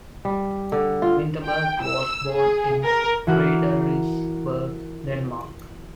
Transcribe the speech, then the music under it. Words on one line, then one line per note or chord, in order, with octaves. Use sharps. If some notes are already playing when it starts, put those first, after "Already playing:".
Vinterberg was born in Frederiksberg, Denmark.
G3
D3
F4
G5
E6
G#4
A#4
E3 F#4 A#4